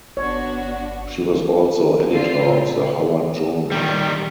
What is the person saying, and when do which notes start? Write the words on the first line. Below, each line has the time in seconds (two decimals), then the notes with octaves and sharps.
She was also editor of the "Howard Journal".
0.17 G1 B3 D4 F#4 C#5
2.12 D3 C4 F4 C7
2.46 A#2
3.71 D#3 G3